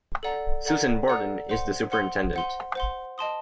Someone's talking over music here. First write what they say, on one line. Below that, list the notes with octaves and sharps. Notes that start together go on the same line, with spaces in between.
Susan Borden is the superintendent.
A4 D5 F#5 A#5
A4 D5 F#5 A#5
A4 D5 F#5 A#5
C5 F#5 C6
C5 F#5 C6
C5 F#5 C6
C5 F#5 C6
D#5 A5 C6 D#6